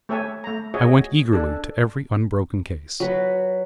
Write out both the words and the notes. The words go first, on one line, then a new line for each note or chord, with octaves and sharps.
I went eagerly to every unbroken case.
A3 G4 C#5 E5 G#5 A5
A3 A#5
F#4 G#4 C#5 D#5 E5
D4 A4
F#3 B4